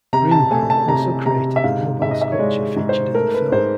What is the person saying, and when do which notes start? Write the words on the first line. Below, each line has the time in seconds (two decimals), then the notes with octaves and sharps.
Greenbaum also created the mobile sculpture featured in the film.
0.13 C3 A#5
0.31 A5
0.51 A3 G#5
0.70 A5
0.88 C3 A#5
1.26 C3 A#5
1.56 E5
1.64 G#2 F5
2.02 G#2 E5
2.11 D#5
2.21 E5
2.32 C#5
2.39 G#3 D5
2.76 G#2
2.89 C5
3.15 A3 A#4
3.34 B4
3.52 G#2 C5